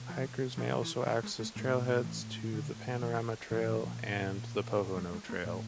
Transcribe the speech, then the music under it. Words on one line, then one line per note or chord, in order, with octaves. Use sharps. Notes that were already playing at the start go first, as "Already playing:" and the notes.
Hikers may also access trailheads to the Panorama trail and the Pohono trail.
Already playing: B2
F3
F3
D#3
E3
D#3
G#3
A3
A2 G#3
E3
D3
E3
A#2 F3
G3
G#3
A#3
A2